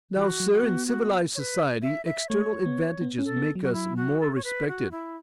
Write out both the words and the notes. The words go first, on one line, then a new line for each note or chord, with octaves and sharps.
Now, Sir, in civilized society, external advantages make us more respected.
E3 F#4
F#3
F#4
B3
F#4
C#5
B4
E5
E5
A3 C#5
B3
B3
C#4
A4
B3
F#3
F#4
E4
F#4
A4
C#5
B4
F#4
E4